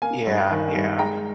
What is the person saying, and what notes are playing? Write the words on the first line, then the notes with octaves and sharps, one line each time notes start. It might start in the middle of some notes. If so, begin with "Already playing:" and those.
Yeah, yeah.
A#3 F5 G#5
G2
D#3
G2
G#3 G5 A#5